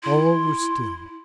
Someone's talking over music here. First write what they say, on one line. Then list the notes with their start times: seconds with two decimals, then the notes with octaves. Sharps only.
All were still.
0.03 E4 C6